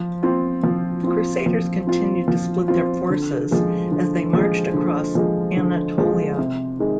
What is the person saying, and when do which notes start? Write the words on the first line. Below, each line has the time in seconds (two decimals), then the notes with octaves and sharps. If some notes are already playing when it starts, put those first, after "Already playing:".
The Crusaders continued to split their forces as they marched across Anatolia.
Already playing: F3
0.23 C4 F4
0.63 F3
1.04 C4 F4
1.46 F3
1.87 C4 F4
2.28 F3
2.68 C4 F4
3.10 D3
3.51 F3 G#3
3.91 D3
4.33 F3 G#3
4.74 D3
5.15 F3 G#3
5.57 D3
5.98 F3 G#3
6.38 C3
6.79 D#3 G#3